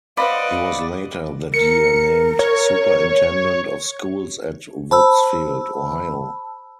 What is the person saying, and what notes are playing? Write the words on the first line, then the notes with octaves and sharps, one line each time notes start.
He was later that year named superintendent of schools at Woodsfield, Ohio.
B4 C5 D5 D#5 F5 F#5 B5
A#4 C#7
C#5
C5 A5 B5 E6